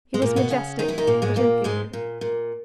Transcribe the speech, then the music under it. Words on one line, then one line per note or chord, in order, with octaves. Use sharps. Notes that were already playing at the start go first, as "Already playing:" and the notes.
He was majestic, but inferior.
G#3
A#2 A#3
B2 B3
C#3 C#4
D#3 D#4
E3 E4
D#3 D#4
A#2 A#3
G#2 G#3
A#2 A#3
G#2 G#3
A#2
A#2